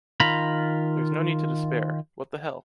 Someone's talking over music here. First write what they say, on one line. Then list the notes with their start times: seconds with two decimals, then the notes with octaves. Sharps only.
There’s no need to despair; what the hell.
0.20 D#3 F4 A#5 B5